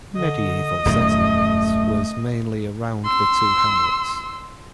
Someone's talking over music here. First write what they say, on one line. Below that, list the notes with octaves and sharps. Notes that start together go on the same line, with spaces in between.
Medieval settlement was mainly around the two hamlets.
D3 D#5
D#1 F#2 D#3 A3
C6 E6